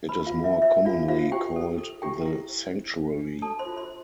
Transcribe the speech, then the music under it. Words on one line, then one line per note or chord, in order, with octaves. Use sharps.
It is more commonly called the sanctuary.
B4 B5
G4
F4 F5
D4
E5
C5 E5
D4 F4 F5
F4 C5 F5
G4 C5 G5
A4
A4
E4 G4 G5
E4
C5
C5
C5
D4
D4 A4 A5
C5 C6
F4
C5 C6